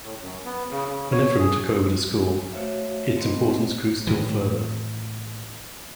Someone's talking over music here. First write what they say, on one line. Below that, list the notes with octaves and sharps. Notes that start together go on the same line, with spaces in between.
When Ephrem took over the school, its importance grew still further.
A2
F#2
B3
C#3
C#3
C#5
G#4
A3 F#4 C5 C#5 E5 F5
A3 B3 C4 C5 D#5
A2 D#3 E3